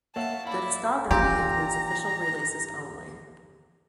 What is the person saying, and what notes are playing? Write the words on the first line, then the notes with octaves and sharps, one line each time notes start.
The discography includes official releases only.
A#3 C#5 E5 F#5 A5
E4 D5 F5 B5
A#2 E3 G4 A#5